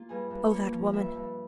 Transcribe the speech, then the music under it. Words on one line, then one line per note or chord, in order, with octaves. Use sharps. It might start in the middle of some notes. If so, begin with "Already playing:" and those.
Oh, that woman!
Already playing: A#3 F4
G2 G#4
G2
A#3 C#5
F3
G2 E5
G2